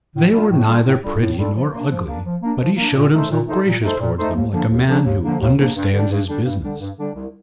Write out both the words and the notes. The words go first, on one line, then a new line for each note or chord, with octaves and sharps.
They were neither pretty nor ugly, but he shewed himself gracious towards them like a man who understands his business.
A2
G3 D4 F4 A4
A2
G3 D4 F4 A4
A2
G3 D4 F4 A4
A2
G3 D4 F4 A4
F3
A#3 D4
F3
A#3 D4
F3
A#3 D4
F3
A#3 D4
A#2
A3 D#4 A4 C5
A#2
A3 D#4 A4 C5
A#2
A3 D#4 A4 C5
A#2
A3 D#4 A4 C5
D#2
D3 F3 A#3 D4
D#2
D3 F3 A#3 D4
D#2
D3 F3 A#3 D4
D#2
D3 F3 A#3 D4
G2
D3 G3 D4
G2
D3 G3 D4
G2
D3 G3 D4
G2
D3 G3 D4
C2